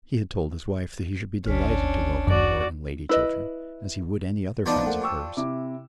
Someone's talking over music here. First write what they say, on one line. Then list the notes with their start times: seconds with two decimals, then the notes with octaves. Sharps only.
He had told his wife that he should be delighted to welcome Lord and Lady Chiltern,--as he would any other friends of hers.
1.46 G1 D2 C#4 D4 F6 B6
2.27 F#2 F#4 D5
3.09 E4 B4 D#5
4.66 F3 B3 D4 D#4
4.86 A3 A#3 F#5
5.01 G5 C#6 E6
5.37 C3 E4 D6